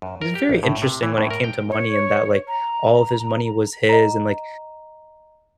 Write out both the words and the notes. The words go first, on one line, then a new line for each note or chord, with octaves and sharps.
he's very interesting when it came to money and that, like, all of his money was his and, like,
F#2
A#4
G4
A#1
A2
C3
E3
A2
A#4
G5
C#5
A#5
D#5 A#5